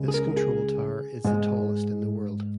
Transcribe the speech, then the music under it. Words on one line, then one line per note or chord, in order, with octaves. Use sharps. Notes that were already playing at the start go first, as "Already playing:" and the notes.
This control tower is the tallest in the world.
Already playing: C#2 C#3 G#3
G#4
A#4
G#4
G#2 G#3